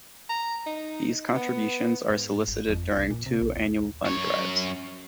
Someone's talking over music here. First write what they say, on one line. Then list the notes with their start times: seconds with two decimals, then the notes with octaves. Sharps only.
These contributions are solicited during two annual fund drives.
0.29 A#5
0.66 D#4
1.36 B3
2.10 G#2
2.48 G1
2.69 F2
2.97 C2
3.10 A#2
3.26 C3
3.42 B1
3.57 D#2
4.05 F#2 C#5